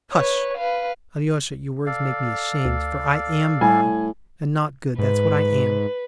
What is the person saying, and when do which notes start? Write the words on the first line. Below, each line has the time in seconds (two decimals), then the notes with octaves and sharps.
Hush, Alyosha, your words make me ashamed, for I am bad and not good--that's what I am.
0.13 B4 C#5
0.58 B4 F5
1.86 A4 D5 F5
2.65 D2
3.61 A2 G3 G#5
4.99 G#2 B4